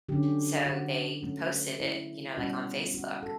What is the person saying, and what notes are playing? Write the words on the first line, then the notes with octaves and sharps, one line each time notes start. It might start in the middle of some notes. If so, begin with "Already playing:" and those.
so they posted it, you know, like on Facebook,
D3 F#3 C#4 G4
F#4
F#3 A3 C#4
E4
B2 G3 C#4 F#4
F#4
A4